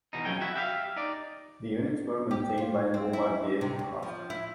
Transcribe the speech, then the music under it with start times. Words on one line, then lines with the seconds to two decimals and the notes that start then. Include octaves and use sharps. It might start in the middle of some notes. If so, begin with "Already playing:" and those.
The units were maintained by Bombardier Crofton.
0.13 E2 B2 D#4
0.25 F2 F#3 C#4 G#4 G5
0.41 E4 F#4 E5
0.55 G4 E5 F5
0.96 D#4 D5
2.31 G4
2.58 F4
2.94 C4
3.13 E4
3.61 C3
3.79 D2
4.03 F3
4.30 E4